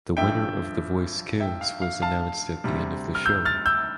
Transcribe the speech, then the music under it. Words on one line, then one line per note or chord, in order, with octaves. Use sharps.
The winner of The Voice Kids was announced at the end of the show.
A1 G2 F3 A3 E5 G5
E5 G5
F5
F5
F5 A5
D2 C3 G3
F6
E6 G6
F6 A6
E6 G6